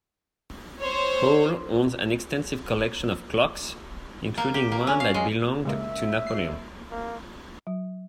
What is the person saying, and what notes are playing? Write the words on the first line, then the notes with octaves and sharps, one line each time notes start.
Hall owns an extensive collection of clocks, including one that belonged to Napoleon.
C5 C#5
A#3
G4
A#3
C#4
F5
G#3
C#3 G#3 A#3 E5
C7
A#3
F#3